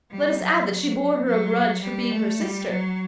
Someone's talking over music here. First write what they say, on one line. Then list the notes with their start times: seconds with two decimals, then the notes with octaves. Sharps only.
Let us add that she bore her a grudge for being her sister.
0.11 G3
0.39 F#3
1.25 F#3
1.82 G3
2.12 A3
2.41 G3
2.69 F#3